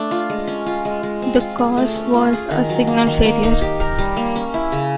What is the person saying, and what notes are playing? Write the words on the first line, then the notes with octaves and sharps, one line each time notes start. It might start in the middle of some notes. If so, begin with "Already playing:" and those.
The cause was a signal failure.
Already playing: A3 D4
F4
G#3
C#4
F4
G#3
G#3
C4
F4
G#4
A3
C#4
F4
G#4
D#3
F#3
A#3
D#3
A#3
D#4
G4
A#4
G3
A#3
C#4
E4
C#3